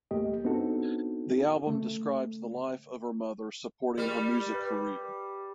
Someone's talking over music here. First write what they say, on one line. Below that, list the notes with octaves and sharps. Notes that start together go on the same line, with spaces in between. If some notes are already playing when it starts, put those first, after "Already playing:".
The album describes the life of her mother supporting her music career.
C#2 G2 A3 A#3 G4 D#5
B3 C4 D4 D#4 F#4 A4
C#3 A3
G3 A#4
B4